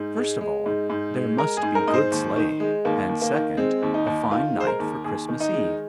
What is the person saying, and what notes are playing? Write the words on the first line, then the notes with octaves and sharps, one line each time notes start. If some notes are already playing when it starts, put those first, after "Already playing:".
First of all there must be good sleighing,--and second, a fine night for Christmas eve.
Already playing: G#2
G#3
G#3
G#2
G#2
G#3
G#3 A#4
G#4
G#2
A#4
G#2 D#5
C5
D#2
D#3
G#3
D#2 A#3
D#2
A#3
D#3
G#3 C4
D#2
D#4
D#2
D#3 F4
G#3
C5
A#4
D#2
D#2 G#4
D#3
D#4
G#3